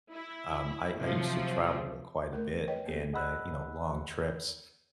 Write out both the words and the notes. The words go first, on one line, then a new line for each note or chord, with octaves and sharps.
Um, I I used to travel quite a bit, and, uh, you know, long trips,
E4
C3 F3 F#3
A3 A#4
B4 C#5 D#5 G5
A#3 B3 G4 A4
G#4 D#5 F#5 B5 E6 F#6